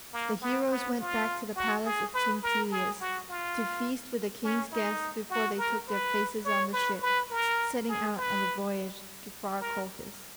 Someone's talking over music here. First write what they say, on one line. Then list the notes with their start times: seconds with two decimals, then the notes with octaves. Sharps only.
The heroes went back to the palace of King Pelias to feast with the king's guests before they took their places on the ship, setting out on the voyage to far Colchis.
0.13 A#3
0.42 B3
0.70 B3
1.00 F4
1.56 F#4
1.85 G#4
2.14 B4
2.43 A#4
2.71 G#4
3.00 F#4
3.29 F4
4.43 C#4
4.72 D#4
5.30 F#4
5.58 A#4
5.88 B4
6.45 C#5
6.73 B4
7.01 B4
7.30 A#4
7.88 G#4
8.17 B4
9.60 A#4